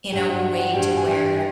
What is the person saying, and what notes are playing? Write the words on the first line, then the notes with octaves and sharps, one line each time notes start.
in a way to where
G2 G4 G5
F#4 F#5
F#4 F#5
F#4 F#5
G2 G4 G5
G#5
G2 G4 G5